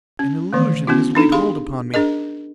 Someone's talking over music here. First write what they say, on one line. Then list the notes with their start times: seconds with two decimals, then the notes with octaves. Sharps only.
An illusion has laid hold upon me.
0.19 C#4
0.53 D#3 E3 A3
0.87 B3 C#4 E4 F#4
1.15 D4 D#4 A4
1.32 G4 G#4 F5 B5 C6
1.94 D4 G#4 A#4 D#5